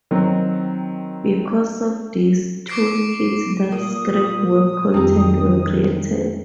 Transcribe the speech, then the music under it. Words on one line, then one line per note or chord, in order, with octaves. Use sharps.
Because of this, tool kits that scrape web content were created.
D#3 F#3 C4
C#6 D6 C7 D7
A#2 A#3 D#6
F2 D#3 C4 G4 A#5